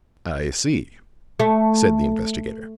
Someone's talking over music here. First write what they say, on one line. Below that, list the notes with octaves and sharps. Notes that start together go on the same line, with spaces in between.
"I see," said the investigator.
A3